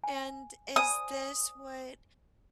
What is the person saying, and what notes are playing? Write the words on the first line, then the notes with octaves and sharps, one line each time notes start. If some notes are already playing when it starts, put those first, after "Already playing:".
and is this what
G#5
C5 D5 G#5 D#6